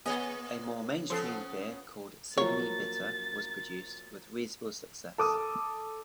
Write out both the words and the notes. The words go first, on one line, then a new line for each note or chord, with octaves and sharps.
A more mainstream beer called Sydney Bitter was produced, with reasonable success.
A#3 B3 G#4 C#5 D#5
F3 B3 C#4 A4 C7
F3 F#3 A#3 C#5 A6
A4 D6 D#6